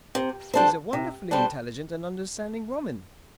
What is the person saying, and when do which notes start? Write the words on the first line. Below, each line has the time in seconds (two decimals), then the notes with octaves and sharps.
She is a wonderfully intelligent and understanding woman.
0.15 C3
0.54 G3 D4 A4 C5
0.93 C3
1.31 G3 D4 A4 C5